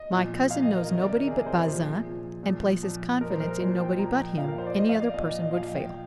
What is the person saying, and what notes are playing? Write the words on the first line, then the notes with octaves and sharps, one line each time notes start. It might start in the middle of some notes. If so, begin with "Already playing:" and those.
My cousin knows nobody but Bazin, and places confidence in nobody but him; any other person would fail.
Already playing: D#5
A#2 F3
A#2 F3 F5
D#5
A#4
C3 D#3 A#4
D5
A#4
C3 D#3 G#4
A#4
C5
A#4
A#2 F3 G#4
A#2 F3
A#2 F3
A#2 F3
A#2 F3 A#4
C5
A#4
A#4
A#2 F3 C5
G5
A#2 F3 A#5
G5
A#2 F3 F5
A#4
C5
D5
A#2 F3 D#5
F5
D5
A#2 F3 D#5
D#5
D#5
A#2 F3 F5
G5